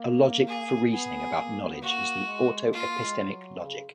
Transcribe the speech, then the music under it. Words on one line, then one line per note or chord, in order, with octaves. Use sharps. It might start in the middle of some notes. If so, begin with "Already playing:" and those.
A logic for reasoning about knowledge is the autoepistemic logic.
Already playing: A#3
G#4
B3 G#4
A#3
B3
A#3 F#4
G#3
G#3
A#3 F4
A#3
G#3
F#3
C#3